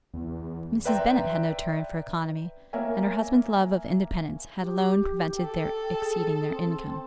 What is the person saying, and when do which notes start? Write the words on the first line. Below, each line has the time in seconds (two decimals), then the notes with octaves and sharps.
Mrs. Bennet had no turn for economy, and her husband's love of independence had alone prevented their exceeding their income.
0.14 E2
0.85 B4 D5 E5 G5 A#5 C6
2.73 A#3 A#4 C#5 E5 G#5
4.61 G4
5.36 A4 G5
5.98 G#4
6.50 C4